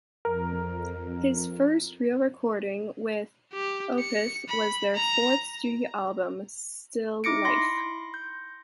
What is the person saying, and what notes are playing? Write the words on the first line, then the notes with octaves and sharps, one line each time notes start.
His first real recording with Opeth was their fourth studio album, "Still Life".
F2 A#4
G4
C#7
B5
A#5
D#4 E4 D6 A#6 C#7 D7
B5 C6 A#6
G6